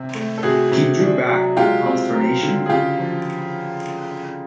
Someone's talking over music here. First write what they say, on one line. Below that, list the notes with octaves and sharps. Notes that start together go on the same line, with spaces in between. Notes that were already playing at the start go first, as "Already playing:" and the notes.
He drew back in consternation.
Already playing: C3
A3
A4
C3 F#4 G#4
C3
D4
F#3
G#3 F4 G4
C4
F#3
D3
G#4
C#3 F4 G4
F3